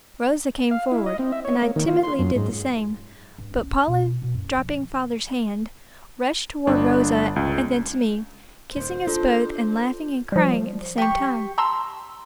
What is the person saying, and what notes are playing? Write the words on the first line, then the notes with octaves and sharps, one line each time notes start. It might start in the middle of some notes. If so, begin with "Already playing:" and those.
Rosa came forward, and I timidly did the same; but Paula dropping father's hand, rushed toward Rosa and then to me, kissing us both and laughing and crying at the same time.
F5
E4
D#5
C4
E5
C#5
A#3
D#3
F4
C6
F#2
G#2
G2
C#4
B2 E4
B2
F#2
F3
G1 D4
C#2
D#1 D#3 C5
D4 F4 A4
F3 G3
G4 C#6
A5 A#5 C6 E6